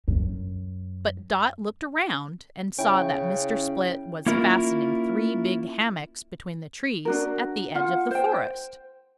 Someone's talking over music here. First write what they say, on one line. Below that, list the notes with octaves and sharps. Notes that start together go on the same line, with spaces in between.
But Dot looked around and saw that Mr. Split was fastening three big hammocks between the trees at the edge of the forest.
F#2
C#3 C#4 E4 G5
A#3 C#4 E4 F4 A#4
D4 F#4 A#4
F4 F#5
C5 G5